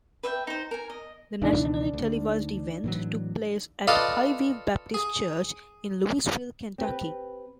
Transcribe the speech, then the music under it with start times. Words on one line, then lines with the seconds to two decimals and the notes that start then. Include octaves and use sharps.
The nationally televised event took place at Highview Baptist Church in Louisville, Kentucky.
0.23 B4 E5 F5 G5
0.47 D#4 C5
0.71 A#4 G#5
0.90 D#5
1.42 C#2 B2 D#3 E3 D4
1.93 D2
2.84 A2 E3 F#3
3.87 F4 A4 B4 D5 D#5 F5
4.94 G#4
6.78 C4 G4 B4